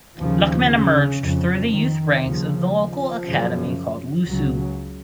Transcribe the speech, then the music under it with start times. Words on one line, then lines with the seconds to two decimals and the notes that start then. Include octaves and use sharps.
Lukman emerged through the youth ranks of local academy called Wusu.
0.18 D#2 C#3 F3
0.70 C#3
1.21 F2 C#3
1.72 D#3
2.24 D#2 C#3 F3
2.75 F3
3.26 F#2 C#3
4.27 C#2 C#3 F#3